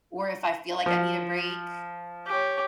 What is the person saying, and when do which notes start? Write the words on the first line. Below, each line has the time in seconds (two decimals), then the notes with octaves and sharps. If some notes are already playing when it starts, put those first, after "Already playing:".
or if I feel like I need a break,
0.86 F3
2.27 G4 C#5